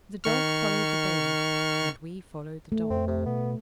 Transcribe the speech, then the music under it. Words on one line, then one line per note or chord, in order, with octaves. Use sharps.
The dog followed the bailiff, and we followed the dog.
D#3 C#6 F6
A3
F2 C4
C3
B2 B3